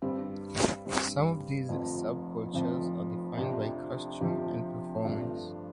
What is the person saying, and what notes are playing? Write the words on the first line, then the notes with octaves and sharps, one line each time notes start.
Some of these sub-cultures are defined by costume and performance.
G2 G3 C4
G2 G3 C4
F1 F2 F3
F1 F2 F3
F2 C3 F3 D4 G4
F2 C3 F3 D4 G4
G2 F3 A3 D4 F4